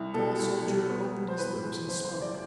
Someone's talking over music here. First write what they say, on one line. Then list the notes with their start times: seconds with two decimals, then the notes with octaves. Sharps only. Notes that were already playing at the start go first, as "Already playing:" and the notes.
The tall soldier opened his lips and spoke.
Already playing: C2
0.14 B2 A4
0.39 C2
0.64 B2
0.89 B3
1.14 B3
1.28 C5
1.38 E2 B4
1.63 E2
1.88 F#1 C5
2.05 C5
2.13 F#1
2.21 D5